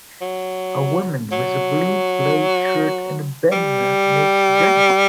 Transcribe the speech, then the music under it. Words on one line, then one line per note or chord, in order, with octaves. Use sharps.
A woman with a blue plaid shirt and a bandanna makes bread.
F#3
F#3
G3